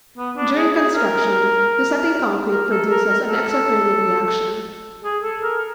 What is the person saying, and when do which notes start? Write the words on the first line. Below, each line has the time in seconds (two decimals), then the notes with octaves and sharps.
During construction, the setting concrete produces a exothermic reaction.
0.17 B3
0.37 D4
0.56 G#4
0.76 G#4
0.95 A#4
2.50 A#4
2.71 A4
2.90 A#4
3.10 A#4
3.29 A4
5.04 G#4
5.23 A4
5.43 A#4